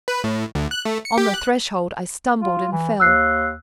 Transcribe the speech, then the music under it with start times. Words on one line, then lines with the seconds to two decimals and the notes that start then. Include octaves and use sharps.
On the threshold I stumbled and fell.
0.08 B4
0.24 A2
0.55 D2
0.71 F#6
0.85 A3
1.05 C#7
1.17 G4
1.34 F#6
2.41 F4
2.73 E3
3.00 D#2 E6 F#6 C7